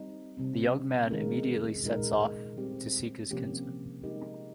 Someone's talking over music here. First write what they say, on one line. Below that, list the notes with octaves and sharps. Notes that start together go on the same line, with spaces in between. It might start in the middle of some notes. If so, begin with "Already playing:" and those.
The young man immediately sets off to seek his kinsman.
Already playing: G3 C4 D#4
C3 G3 C4
D#3 G#3 C#4 F4 A#4
A#2 G#3 D#4 A#4
G3 C4 G4
C3 F3 A#3 C#4 G4
G#3 D#4 G4 A#4